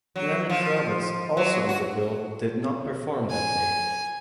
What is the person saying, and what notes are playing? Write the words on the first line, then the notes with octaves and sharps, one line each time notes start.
Lenny Kravitz, also on the bill, did not perform that day.
F#3
F3
F#3
F#4
G#5